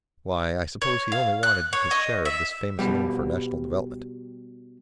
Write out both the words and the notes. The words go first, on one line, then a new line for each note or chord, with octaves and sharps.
Why, I suppose he only wanted his share of this famous loan for national development.
C#5
F5
F#6
C#5
D#5
E5
B2 G3